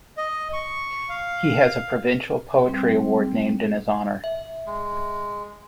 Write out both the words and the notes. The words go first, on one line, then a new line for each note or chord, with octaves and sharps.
He has a provincial poetry award named in his honour.
D#5
C#6
F5
G3 C4
E5
G#3